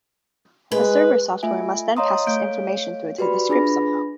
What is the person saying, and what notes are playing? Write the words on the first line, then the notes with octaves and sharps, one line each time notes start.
The server software must then pass this information through to the script somehow.
G#3 B4
A3 F4 E5 G#5
C#5 D#5 F5 A#5 C6 D#6
A3 C#5 F5 G6 D7
F#4 G4 B4 D5 B5
D4 F4 G#4 B4 B5 A#6